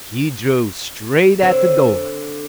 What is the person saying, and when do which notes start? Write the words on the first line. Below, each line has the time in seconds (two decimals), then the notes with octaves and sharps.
He drove straight at the door.
1.42 D3 C4 C#5